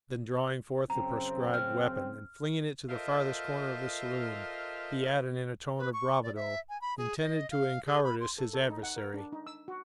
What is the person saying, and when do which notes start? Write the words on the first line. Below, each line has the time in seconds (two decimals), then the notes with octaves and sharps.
Then drawing forth the proscribed weapon, and flinging it to the farthest corner of the saloon, he added, in a tone of bravado, intended to encowardice his adversary.
0.90 F#2 C#3 C4 A#5
1.54 F6
2.89 F4 A4 A#4 C5 D#5 E5
5.79 B4
5.93 C#6
6.23 D5
6.35 E5
6.69 G#5
6.81 B5
6.98 G#4
7.21 D#5
7.51 F5
7.86 G#4
8.04 B5
8.21 C6
8.38 A4
8.53 A4
8.70 D#4
8.83 F#5
8.96 A#4
9.14 D4
9.32 D#4
9.47 E6
9.68 F#4